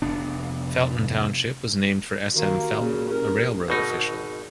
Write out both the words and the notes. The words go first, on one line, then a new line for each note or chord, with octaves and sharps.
Felton Township was named for S. M. Felton, a railroad official.
F1 B3 D4
D#3 A#3 F#4 G4 A#4
A#2 C#3
C#4 E4 G4 A#4
G#1 B2 D#4